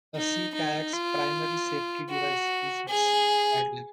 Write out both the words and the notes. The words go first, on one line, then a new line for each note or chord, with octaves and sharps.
A sea kayak's primary safety device is its paddler.
D#4
D#4
F4
F#4
G#4